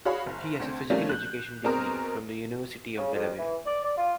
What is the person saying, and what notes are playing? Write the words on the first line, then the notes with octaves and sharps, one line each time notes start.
He has a physical education degree from the University of Delaware.
F#4 G#4 C#5 F5 B5
F#1
D2 C4
C3 F3 G3 A3 A#3 C#4
F#6 G6
B2 C4 G#4 A#4 D#6
C#3
F2
E3
D5
D5
F4